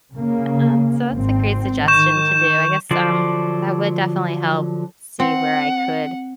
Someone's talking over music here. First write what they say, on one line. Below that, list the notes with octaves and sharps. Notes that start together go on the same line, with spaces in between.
Uh, so that's a great suggestion to do, I guess, um, that would definitely help see where I could
C#3 A#3
G#1 C4
D#3 C#6 G6 E7
D3 F3 F#3 C5 D5
C4 F#5